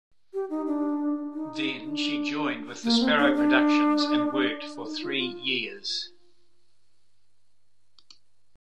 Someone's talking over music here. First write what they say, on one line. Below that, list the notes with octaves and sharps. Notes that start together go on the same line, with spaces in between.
Then she joined with the Sparrow Productions and worked for three years.
G4
D#4
D4
D#4
D4
A#3
C4
D4
D4
D#4
F4
F4